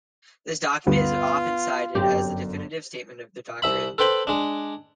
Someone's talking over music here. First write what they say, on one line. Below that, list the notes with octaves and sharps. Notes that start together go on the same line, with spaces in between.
This document is often cited as the definitive statement of the doctrine.
D2 G2 B3 F4
G1 F#2 C4 G4
C2 E5 B5
A4 B4 C5 G5 B5
G#3 D4